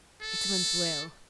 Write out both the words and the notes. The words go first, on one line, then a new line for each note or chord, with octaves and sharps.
It went well.
A4